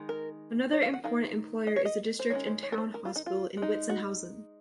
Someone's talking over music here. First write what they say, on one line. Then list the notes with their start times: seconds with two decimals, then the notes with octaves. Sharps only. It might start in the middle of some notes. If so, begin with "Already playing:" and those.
Another important employer is the district and town hospital in Witzenhausen.
Already playing: D#3 G#3 D#4
0.09 A#4
0.73 C#5
0.83 F5
0.94 F#5
1.04 D#3 G#3 D#4 F5
1.67 D#5
1.76 C#5
1.85 D#5
2.19 C5
2.30 D#3 G#3 C#4 C#5
2.47 C5
2.63 C#5
2.72 A#4
2.78 C5
2.94 A#4
3.05 F4
3.16 D#4
3.26 F4
3.57 G#3
3.62 D#4
3.90 F#4